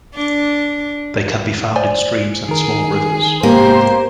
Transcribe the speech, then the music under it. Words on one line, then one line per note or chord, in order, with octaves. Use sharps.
They can be found in streams and small rivers.
D4
C5 D5 G#5
D#3 G#4 A#4
G#2 C3 A#3 B3 G4 C5